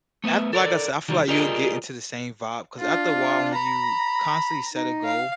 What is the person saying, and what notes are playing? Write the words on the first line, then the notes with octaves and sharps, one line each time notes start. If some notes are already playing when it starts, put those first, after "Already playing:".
ac Like I said, I feel like you'll get into the same vibe, ‘cause after a while, when you constantly set a goal
A3 B3 B4 E5
A4 A#4 C#5 D5
C2 D#3 E3 G3
F4 G4 G#4 A#4 D5 D#5
D4 F4
A#5 B5
D#4
F5